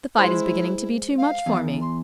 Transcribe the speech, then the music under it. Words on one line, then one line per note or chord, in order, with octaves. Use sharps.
The fight is beginning to be too much for me.
G#3 E4 C5
F5
E2
C6